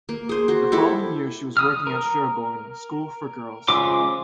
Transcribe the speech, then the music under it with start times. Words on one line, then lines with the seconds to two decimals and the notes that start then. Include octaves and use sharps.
The following year she was working at Sherborne School for Girls.
0.09 A#3
0.29 G#4 C5
0.48 F#4 C5
0.72 E4 G4 A4
1.57 D#6 F6
1.87 A#4
3.68 C#3 G#3 F4 C5 D6